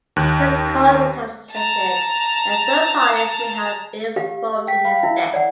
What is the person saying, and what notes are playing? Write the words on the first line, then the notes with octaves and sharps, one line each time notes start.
His colleagues have suggested that third parties may have been involved in his death.
D#2 F#6
A5 A#5
G4 F5
G5 B6
F5 B5
E4 E5
D5 F#5